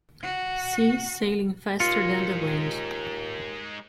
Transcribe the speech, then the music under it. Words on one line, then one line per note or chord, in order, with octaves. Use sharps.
See "Sailing faster than the wind".
F#4
D#2 G#3 D#4 F4 C#7